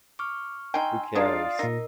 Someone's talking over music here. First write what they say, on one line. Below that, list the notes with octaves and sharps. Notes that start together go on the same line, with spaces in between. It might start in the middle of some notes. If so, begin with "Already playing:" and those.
Who cares?
C#6 D6 F6
D#4 G5 G#5 A#5 C6 E6
G#3 D4 D#4 F4 D5 F5 D#6
A#2 D#4 A#4 A#6